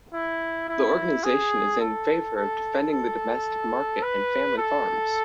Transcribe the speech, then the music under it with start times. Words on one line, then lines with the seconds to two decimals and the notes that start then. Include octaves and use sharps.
The organization is in favor of defending the domestic market and family farms.
0.13 E4
0.68 E4
1.24 G#4
1.80 A4
2.36 A4
2.92 A4
4.03 B4
4.58 A4